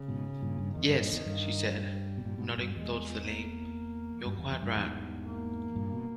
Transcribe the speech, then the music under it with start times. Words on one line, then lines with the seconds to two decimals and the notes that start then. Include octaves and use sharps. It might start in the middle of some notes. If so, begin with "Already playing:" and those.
"Yes," she said, nodding thoughtfully, "you're quite right."
Already playing: C#3
0.08 G#2 B2
0.42 G2 A#2
0.58 G2
0.75 E2 D#3
0.88 G2
1.00 G2 A#2
1.12 E2
1.26 G2
1.76 G3
2.18 B2
2.25 G2 A#2
2.38 G#2 B2
2.50 G2 A#2
2.57 G#2
2.63 G2
2.75 E2 G#3
3.26 A#3
4.26 G2 G3
4.38 E2
4.51 E2
4.63 G2
4.76 E2 G#2
5.25 A#3
5.76 G2 A#2
5.93 B2